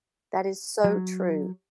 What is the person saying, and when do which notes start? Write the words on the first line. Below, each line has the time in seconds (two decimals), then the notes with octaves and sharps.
That is so true.
0.84 F#3